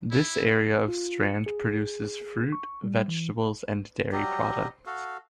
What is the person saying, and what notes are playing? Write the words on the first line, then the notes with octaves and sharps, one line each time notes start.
This area of Strand produces fruit, vegetables, and dairy products.
E4
F4
C#7
G#4
C#6
G3
E3
F#3 G3 G4 D#5
F#4 A4 F5